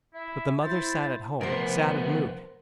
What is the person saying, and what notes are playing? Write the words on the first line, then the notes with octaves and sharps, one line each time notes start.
But the mother sat at home, sad of mood.
E4 E5
E4 C5 A6
D2 C3 F3 B3 A#4 C5